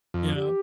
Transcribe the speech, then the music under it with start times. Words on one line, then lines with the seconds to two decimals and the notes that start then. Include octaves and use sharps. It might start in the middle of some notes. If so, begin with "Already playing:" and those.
You know?
0.14 F2
0.35 G4